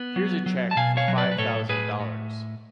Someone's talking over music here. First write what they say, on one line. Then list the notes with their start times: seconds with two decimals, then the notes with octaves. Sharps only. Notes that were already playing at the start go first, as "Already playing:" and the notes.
Here's a check for five thousand dollars.
Already playing: B3
0.16 F#3
0.46 F#3
0.71 A5
0.77 B2 F5 G#5
0.97 C#5 F5
1.08 F#3
1.18 B4 D5
1.32 B4
1.38 A2 A4 C#5
1.69 A2 G#4 B4
2.00 A2